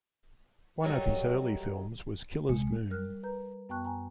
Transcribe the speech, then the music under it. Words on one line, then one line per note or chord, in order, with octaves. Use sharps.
One of his early films was "Killer's Moon".
F#3 G3 A3 A#3 D#4
C2 G#3
G3 A#4 F6 F#6
B4 A#5 G6
F#2 B3 G5 A5 C#6 F#6
G#5 A#5